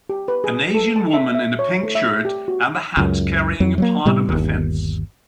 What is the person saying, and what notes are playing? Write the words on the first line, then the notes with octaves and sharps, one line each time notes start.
An Asian woman in a pink shirt and a hat carrying a part of a fence.
G4
B4
G#4
A4
A5
E5
E5
C#5
A3
E5
G4
F#4
C#2 F#2
F2 F#3
F#3 G3 A#3
A2 C3 G3 B3
G1 D#2